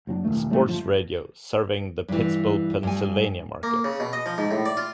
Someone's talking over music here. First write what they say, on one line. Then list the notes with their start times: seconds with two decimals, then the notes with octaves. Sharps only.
Sports Radio serving the Pittsburgh, Pennsylvania market.
0.07 F#1 F#3 C4 D4
0.25 E1 D#3 A3
0.50 A1 C#3 G3 A3
0.66 G1 F3
2.08 G2 E3
2.83 G2 G#5
3.63 A#3
3.84 C#3
4.00 B2
4.13 D#5
4.26 F3
4.38 G#2
4.51 A2
4.66 D5
4.77 F4